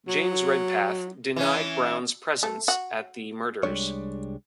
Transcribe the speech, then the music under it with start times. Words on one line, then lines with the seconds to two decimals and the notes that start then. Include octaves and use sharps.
James Redpath, denied Brown's presence at the murders.
0.08 F#3
1.36 E3 C#4
2.43 A3
2.68 F#4
3.63 C2 G3 G#3 D4 C#5